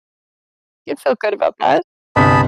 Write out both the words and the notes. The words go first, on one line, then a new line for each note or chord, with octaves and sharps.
You feel good about that?
G1 C2 G#4 A5 B5 B6